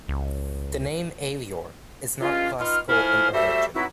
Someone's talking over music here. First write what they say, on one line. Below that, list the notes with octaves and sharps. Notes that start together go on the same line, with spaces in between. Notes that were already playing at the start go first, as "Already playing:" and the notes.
The name "Avior" is not classical in origin.
C#2
G2 G#3 C#4 F4
B3 D#4 F4 F6
F3 A3 E4 C5 G#5 F6
G3 A3 F#4 C5 E5
F#3 B3 C4 D#4 E4 F#4